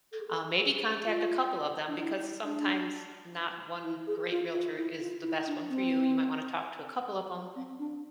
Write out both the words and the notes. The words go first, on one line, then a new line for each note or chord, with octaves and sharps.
um, maybe contact a couple of them because sometimes not one great realtor is the best one for you, you might wanna talk to a couple of 'em.
A4
G#4
A4
G#4
G#4
F4
D4
E4
D4
E4
G#4
F4
F4
E4
F4
E4
D4
C4
C4
D4